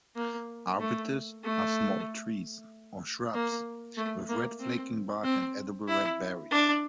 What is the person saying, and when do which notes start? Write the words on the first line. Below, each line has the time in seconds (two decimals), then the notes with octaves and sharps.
"Arbutus" are small trees or shrubs with red flaking bark and edible red berries.
0.16 A#3
0.80 A3
1.43 A3
3.34 A#3
3.97 A3
4.29 A#3
4.60 C4
5.23 C4
5.88 E4
6.51 D4